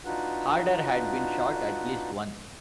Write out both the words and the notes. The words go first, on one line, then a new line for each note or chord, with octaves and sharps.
Harder had been shot at least once.
D4 D#4 F4 F#4 B4 F#5